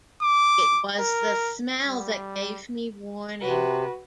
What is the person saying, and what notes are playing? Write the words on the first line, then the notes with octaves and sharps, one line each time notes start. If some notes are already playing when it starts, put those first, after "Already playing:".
It was the smell that gave me warning.
D6
A#4
G3
C3 F#4 B4